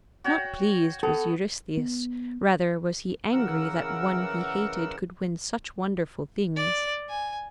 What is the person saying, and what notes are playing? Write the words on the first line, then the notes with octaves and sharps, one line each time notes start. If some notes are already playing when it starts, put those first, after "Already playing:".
Not pleased was Eurystheus; rather was he angry that one he hated could win such wonderful things.
F#4 C#5 G5
B3 A4
B3
C#3 E3 A#4 F#5 E6
D5
G#5